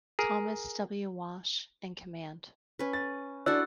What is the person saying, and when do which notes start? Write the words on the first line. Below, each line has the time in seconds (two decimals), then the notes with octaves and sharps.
Thomas W. Walsh in command.
0.19 G#4 A#4
2.79 C#4 B4
2.93 A6
3.46 D4 E4 F#4 A4 E6 F#6 A6